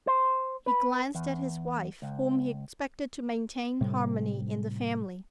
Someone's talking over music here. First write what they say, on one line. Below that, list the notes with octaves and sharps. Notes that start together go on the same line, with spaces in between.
He glanced at his wife, whom he expected to maintain harmony in the family.
C5
B4
E2
C#2
A2 C3 G3